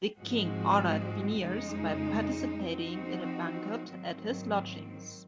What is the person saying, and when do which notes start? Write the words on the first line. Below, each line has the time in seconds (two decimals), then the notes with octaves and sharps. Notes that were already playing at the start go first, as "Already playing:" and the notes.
The king honoured Phineas by participating in a banquet at his lodgings.
0.18 G#2 F3 G#3 C4 F#4
1.41 F2 C#3 G#3 D#4
2.64 F3 C4 D#4 F#4
3.86 G#2 D#3 F#3 C4